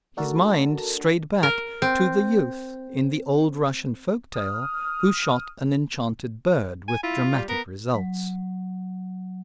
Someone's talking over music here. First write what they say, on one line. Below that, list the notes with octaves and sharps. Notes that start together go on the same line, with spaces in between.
His mind strayed back to the youth in the old Russian folk-tale who shot an enchanted bird with dramatic results.
A3 D4 F#4 A4 A#4 A5
A#4
C4
D#6 F6
G#5
E4 F4
G3
B3 A#4
F#3